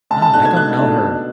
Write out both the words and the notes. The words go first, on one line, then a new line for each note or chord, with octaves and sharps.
Uh, I don't know her.
C#2 A5
A5
B2 A3 D4 F#6
G#6
C#2 F#6
B2 A3 D4
B2